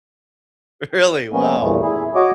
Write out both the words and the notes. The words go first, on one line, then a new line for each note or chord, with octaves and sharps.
Really? Wow.
F3 G#3 A#3 B3 C#4
E2 G2 A#2 A3
E4 G#4
F#4 C#5 D#5 D6